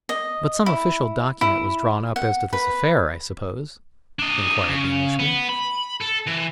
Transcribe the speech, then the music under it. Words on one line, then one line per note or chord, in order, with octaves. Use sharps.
"But some official document was drawn up as to this affair, I suppose?" inquired the Englishman.
D#5
E4
E4
F#5
B4
D4 D#5
C#3
B3
B5
A4
E3